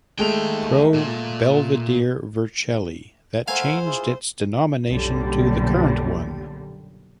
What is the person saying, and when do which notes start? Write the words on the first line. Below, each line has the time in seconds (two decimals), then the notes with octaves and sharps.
Pro Belvedere Vercelli, that changed its denomination to the current one.
0.19 D#2 G#3 A3 G5 F7
0.94 A#2
3.48 A3 A4 A#4 C5 F5 F#5 G#5
3.85 E4 F4 G#4
4.89 B1 F#2 A#2 D3 G3